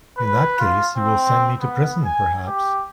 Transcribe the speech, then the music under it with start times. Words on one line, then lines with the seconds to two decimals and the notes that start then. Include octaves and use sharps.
In that case you will send me to the prison, perhaps?
0.17 B4
0.60 F4
0.97 C4
1.60 B3
2.05 G#5
2.47 G4